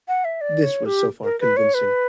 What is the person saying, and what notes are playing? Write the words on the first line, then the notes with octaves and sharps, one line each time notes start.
This was so far convincing.
F#5
E5
D5
C#5
G4
A#4
B4
C#5
B4